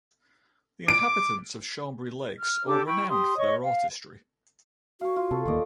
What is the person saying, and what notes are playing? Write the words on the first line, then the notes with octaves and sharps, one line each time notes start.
The inhabitants of the Chambri Lakes are renowned for their artistry.
D6 D7
F6
D4 G4 A4 D6
E4 G5 B5 C#6
G4 C6 D#6
C#5 D#5 C#6
F5
F#4 C#5 F5
F4
C3 A4
D1 D#2 A#3 D5 D#5 C#6